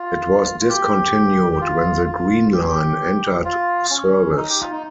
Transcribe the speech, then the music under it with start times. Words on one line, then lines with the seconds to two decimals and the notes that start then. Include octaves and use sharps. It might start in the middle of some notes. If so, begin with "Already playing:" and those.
It was discontinued when the Green Line entered service.
Already playing: F4
0.60 F4
0.69 G4
1.53 G4
1.61 F4
2.06 F4
2.53 G4
2.60 G#4
2.68 G4
3.45 F4
3.91 C#4
4.37 D#4
4.49 G4
4.61 F4
4.72 D#4